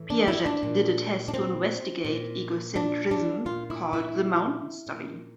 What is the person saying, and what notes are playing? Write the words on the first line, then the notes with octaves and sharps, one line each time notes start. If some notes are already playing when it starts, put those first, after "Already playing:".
Piaget did a test to investigate egocentrism called the mountains study.
Already playing: A2 E3
D4
E4
D4
A#2
D4
C4
A#2
D4
D4
A#2 F4
E4
E4
A#2